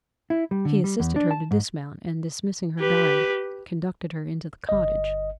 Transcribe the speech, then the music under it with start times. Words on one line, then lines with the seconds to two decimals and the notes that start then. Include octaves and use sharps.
He assisted her to dismount, and dismissing her guide, conducted her into the cottage.
0.30 E4
0.51 G3
0.65 D3
0.84 G3
1.00 E2
1.16 D4
1.31 A5
1.51 G#2
2.79 G4 B4
4.69 G1 D#5